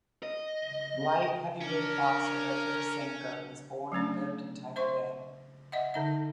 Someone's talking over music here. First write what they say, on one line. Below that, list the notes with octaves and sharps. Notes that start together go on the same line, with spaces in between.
Light heavyweight boxer Redvers Sangoe was born and lived in Tiger Bay.
D#5
C#4 D4 A#4
F#3 A3 C#4 D4
C5 E5 C6 C#6
D#5 E5 F#5
D3 D#4 E5